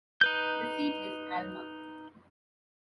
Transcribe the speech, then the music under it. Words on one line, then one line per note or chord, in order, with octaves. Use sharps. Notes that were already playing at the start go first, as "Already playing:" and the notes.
The seat is Alma.
D#4 B4 G6